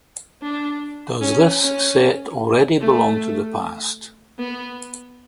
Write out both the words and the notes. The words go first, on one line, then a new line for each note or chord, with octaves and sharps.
Does this set already belong to the past?
D4
C#4
C#4
A3
B3